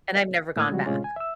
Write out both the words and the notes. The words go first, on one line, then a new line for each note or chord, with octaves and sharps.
and I've never gone back.
A2 A#3 D#6 G#6
C#3 F3 G3 G#3 F#4
A2 C3 G#3 C#4 F4
G#5
E5 E6